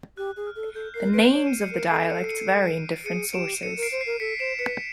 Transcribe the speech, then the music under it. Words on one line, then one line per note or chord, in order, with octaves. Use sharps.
The names of the dialects vary in different sources.
G4 F#6
G#4
F6
A4
A4 G6
A#4 C7
B4 C7 D7
C#5 D7 E7
C#7 D#7
C#7 D#7
A#4 C7 D7
A4 C7 D7
C#7 D#7
C#7 D#7
C7 D7
G#4 C#7 D#7
G4 D7 E7
A4 C#7 D#7
A#4
C7 D7
C5
C7
A#4
A4 B6 C#7
C5 D7 E7
B4 B6 C#7